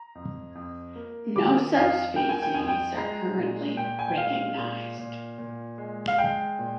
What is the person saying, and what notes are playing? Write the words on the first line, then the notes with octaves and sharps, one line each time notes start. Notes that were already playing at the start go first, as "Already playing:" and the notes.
No subspecies are currently recognised.
Already playing: A#5
F2
F2
A#3
D#3 D6
F2 F5
A#3 G5
G#5
G5
F2 G#5
G5
G#3 A#5
A#2
A#2 G5
G#5
G5
G#3 F5
A#2
A#2
A#2
G#3
F5
G#3 G5
A#2